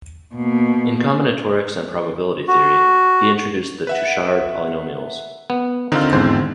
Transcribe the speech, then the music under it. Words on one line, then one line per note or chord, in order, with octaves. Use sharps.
In combinatorics and probability theory, he introduced the Touchard polynomials.
B2 A#3
F#4
B4 E5 F#5
B3
D3 D#3 C4 D#4 F4
G#1 E2 C5